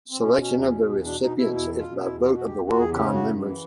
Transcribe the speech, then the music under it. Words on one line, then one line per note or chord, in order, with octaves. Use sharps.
Selection of the recipients is by vote of the Worldcon members.
C4
B2 C#4
B2
C#4
E2 D4
B2 C#4
E2
B2 D4
B2 D#4
B2 E4
E2 E4
B2
F4
B2
E4
E2
B2 F#4
F#4
E2 G4
E2
F#4
E2
G#4
C#3 G4
F#2
F#4
F#2
E3